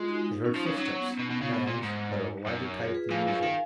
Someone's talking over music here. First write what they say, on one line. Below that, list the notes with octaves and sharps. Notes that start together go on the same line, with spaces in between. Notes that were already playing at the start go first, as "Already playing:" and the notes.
They heard footsteps--a man's, but of a lighter type than usual.
Already playing: G#3 F4
D#4 F#4
D#4
C#4
F3 D#4
C#3
C#4
F#3
A#3
B3
C#4
B2 D#4
B2
C#3
B2
A#2
G#2
D#4
F#2
F4 G#4
G#4 B4
F2 F5 G#5
F#2
D#3 F5 G#5